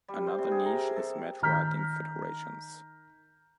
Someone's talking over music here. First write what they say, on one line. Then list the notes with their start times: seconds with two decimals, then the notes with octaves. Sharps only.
Another niche is match-writing federations.
0.08 G3
0.27 C5
0.38 C3
0.51 G#4
0.66 A#4
0.80 A4
0.96 A4
1.42 D#3 A#5 F6 G6 B6